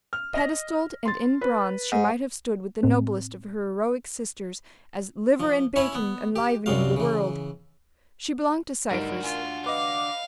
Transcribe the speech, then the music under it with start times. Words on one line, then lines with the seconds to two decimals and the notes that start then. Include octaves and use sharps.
Pedestalled and in bronze she might have stood with the noblest of her heroic sisters as "Liver-and-Bacon Enlivening the World." She belonged to Cypher's.
0.13 F6
0.34 D#5 A#6
1.05 C6 A6
1.41 B4
1.92 G#2
2.83 A2 C4
5.40 F3
5.76 C#4 E4 C#5 E5 B5
5.95 B3
6.36 G4
6.66 C2 F#2 C3 F#3 F5
6.96 C#3 E3
8.91 G2 D4 D#4 F#4 A#4 D7
9.24 F4 G#5
9.66 B4 D#5 F5 D6